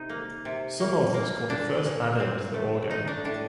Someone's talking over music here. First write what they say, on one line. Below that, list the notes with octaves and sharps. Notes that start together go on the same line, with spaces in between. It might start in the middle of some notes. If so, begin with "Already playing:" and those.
Some authors call the first addend the "augend".
Already playing: C3 D#4
A#3
C3
A#3
A#3
A#2 D4
A#2
C4
A3
A3 D#4
D4
A2 D4